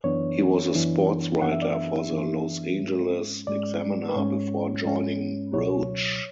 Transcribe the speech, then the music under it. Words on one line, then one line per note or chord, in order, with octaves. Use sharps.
He was a sports writer for the "Los Angeles Examiner" before joining Roach.
F#2 E3 B3 D4 C#5
F#2 E3 B3 D4
F#2 E3 B3 D4 F#5
E5
D5
E5
F#2 E3 B3 D4
G#2 G#3 C#4
G#2 G#3 C#4 D5
B4
G#2 G#3 C#4 C#5
G#2 G#3 C#4
C#2 B2 F#3 C#5